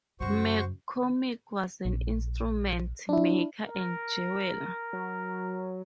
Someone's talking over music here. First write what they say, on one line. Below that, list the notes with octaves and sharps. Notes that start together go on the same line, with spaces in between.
McCormick was an instrument-maker and jeweller.
F#2 C#3 F#4 C5 C#6
A#1
D4 E4
A#4
F#3